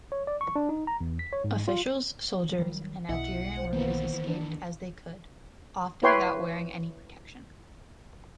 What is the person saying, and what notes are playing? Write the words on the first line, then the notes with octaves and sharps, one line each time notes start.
Officials, soldiers and Algerian workers escaped as they could, often without wearing any protection.
C#5
D5
C#6
D4
D#4
A#5
E2
B6
C#5
G#2
F4
D#3 F#3 G3
B1 B2 E4 D#5 E5 F#5
C5
D#3 E3 A#3 B3
D4
E4 B4 C#5 G5 C6